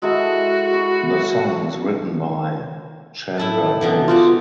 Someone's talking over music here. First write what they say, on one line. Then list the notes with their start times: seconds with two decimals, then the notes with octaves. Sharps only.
The song is written by Chandrabose.
0.02 G#3 E4 F#4 A4
0.74 B5 C#6
3.38 A2 E4 A5
3.81 B2 D3 E3
4.08 D#4 F4 F#4 D5